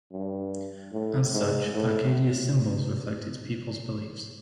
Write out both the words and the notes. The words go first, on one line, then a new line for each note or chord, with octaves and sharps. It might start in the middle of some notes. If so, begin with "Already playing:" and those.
As such, Acadia's symbols reflect its people's beliefs.
G2
A2
G#2
A2